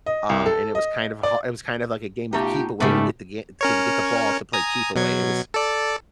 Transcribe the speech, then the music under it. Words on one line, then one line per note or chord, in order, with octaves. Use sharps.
um, and it was kind of ha it was kind of like a game of keep away to get the ga to get the get the ball to play keep away. It was
D#5
C2
A4
D#5
D5
B2 A3 D#4 F4 G4
F#1 G#2 C#3 A3 B3 G4 D5 E5
C#4 A#4 C#5
G#5 A#5 D#6
B2 F#3 G#6
A4 D5